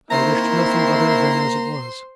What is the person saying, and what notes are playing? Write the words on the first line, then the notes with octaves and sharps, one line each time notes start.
I wished nothing other than as it was.
D#3 A#3 C4 E4 C5 A#5 C6